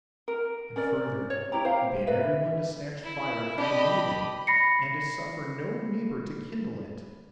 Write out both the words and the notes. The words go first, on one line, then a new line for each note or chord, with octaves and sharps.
And further, he bade every one to snatch fire from the maiden, and to suffer no neighbour to kindle it.
A#4
C#4 A#4 D5
C#5
E4 G4 A#5
C5 F5
B4 E5
E4
D4 G4 D#5 B5
B5 A#6 C7 C#7